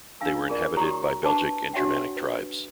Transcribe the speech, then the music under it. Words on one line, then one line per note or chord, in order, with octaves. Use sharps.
They were inhabited by Belgic and Germanic tribes.
D4 F5 G#5 E6
F4 G#4 A#4 D5
E4 F#4 G4 C#5 A#5 D#6
D4 G4 B4 A5 D6
D4 F#4 C#5 E5 F#5 G5
B4